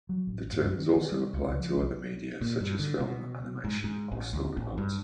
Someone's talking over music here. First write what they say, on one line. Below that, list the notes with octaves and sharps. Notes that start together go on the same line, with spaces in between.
The term is also applied to other media, such as film, animation or storyboards.
F#3
A1
G#2
F#2
D#3
D#3
G3
C#2
C#2
F3
B1
A#2
G2
D3
B2
G#2
G#2
A1
D2
A1
G2